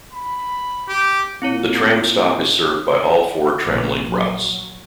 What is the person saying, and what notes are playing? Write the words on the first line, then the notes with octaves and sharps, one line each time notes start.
The tram stop is served by all four Tramlink routes.
B5
G4
A#2 C4 E4 C#5
A#1 A#2
F#3